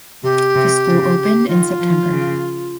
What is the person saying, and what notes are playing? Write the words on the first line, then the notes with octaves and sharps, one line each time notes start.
The school opened in September.
C3 G4
C3
C#3
D#3 F4
F3
C#3